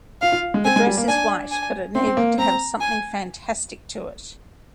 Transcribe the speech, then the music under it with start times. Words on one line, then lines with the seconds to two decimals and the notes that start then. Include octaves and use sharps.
The dress is white but it needed to have something fantastic to it.
0.22 F4 F5
0.32 F4
0.54 G#3
0.65 C4 G#5
0.76 G#3
0.87 G3
0.97 A#3
1.08 D4 G#5
1.52 G#5
1.95 C4 C6
2.07 C4
2.17 A#3
2.38 C4 A#5
2.81 G#5